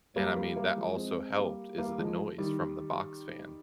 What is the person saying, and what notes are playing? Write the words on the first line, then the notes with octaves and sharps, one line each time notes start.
and, I mean, that also helped, is the noise from the box fan.
G3 A#3
G3 A#3
G3 A#3
F3 G#3
G#3 C4
G3 A#3
G3 A#3
F3 G#3
D#3 G3